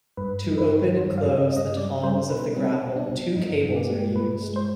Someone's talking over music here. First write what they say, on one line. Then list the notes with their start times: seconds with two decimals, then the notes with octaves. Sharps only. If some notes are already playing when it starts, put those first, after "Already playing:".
To open and close the tongs of the grapple, two cables are used.
0.17 G2 B4
0.44 G2
0.58 B4
0.70 D#3
0.97 G2 C5
1.18 F5
1.24 G2
1.37 D#5
1.51 G2
1.57 D#5
1.77 G3 D5
2.03 G3 C5
2.30 B2 B4
2.56 G3 C4
2.83 B2
2.96 D4
3.10 B2
3.36 G2 D#4
3.63 G2
3.76 G4
3.90 G#3
4.16 G2 B4
4.43 G#3
4.56 C5